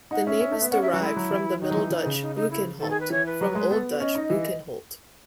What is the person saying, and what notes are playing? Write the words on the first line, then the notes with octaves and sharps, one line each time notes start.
The name is derived from the Middle Dutch "Bucghenhout" from Old Dutch "Bukenholt".
D#4 F#5
C#4 E5
C#4
A3
B3
C#4 F#5
E5
F#3 F#4
G#3 E4
F#3
E3
D#3 D#4
F#3
E3
E3
C#3
D#4
D#4
E4
D#3 A4
G#4
B4
E3 C#5
B4
F#3
G#3
B3 A4
F#4
C#4 D#5
D#4
E3